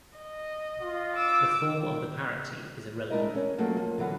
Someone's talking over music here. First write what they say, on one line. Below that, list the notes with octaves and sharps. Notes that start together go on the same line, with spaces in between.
The form of the parity is irrelevant.
D#5
F4
D6 E6
G#3 D4 E4 A#4 D#5
C#4
F3 F#3 A3 A#3 C#4
F3
D3 E3 F#3 B3 F4